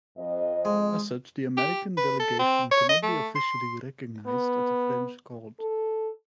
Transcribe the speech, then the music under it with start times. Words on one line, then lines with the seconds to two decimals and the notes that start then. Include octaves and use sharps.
As such, the American delegation could not be officially recognized at the French Court.
0.18 F2 D#5
0.65 G#3
1.57 G4
1.97 B4
2.20 A4
2.39 C4
2.71 C#5
2.89 D#5
3.03 A3
3.36 C6
4.27 B3
5.60 A4